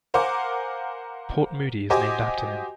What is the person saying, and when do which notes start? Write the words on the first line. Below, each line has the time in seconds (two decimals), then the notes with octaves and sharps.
Port Moody is named after him.
0.14 A#4 C5 F5 F#5 G#5 D6
1.90 F#4 G4 C5 D#5 G#5 D6